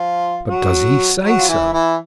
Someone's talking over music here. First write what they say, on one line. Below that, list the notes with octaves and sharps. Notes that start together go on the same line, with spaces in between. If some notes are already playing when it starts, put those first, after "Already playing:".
"But does he say so?"
Already playing: F3 F4
F#3 F#4
F#3 F#4
F4
E3 E4
E3 E4